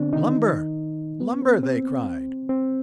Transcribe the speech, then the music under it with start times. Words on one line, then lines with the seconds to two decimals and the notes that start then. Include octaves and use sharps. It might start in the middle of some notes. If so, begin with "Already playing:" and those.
"Lumber! lumber!" they cried.
Already playing: D3 B3 C4 D4
0.13 D#3 D#4
1.21 B3
1.42 C4
1.63 C4
2.49 C4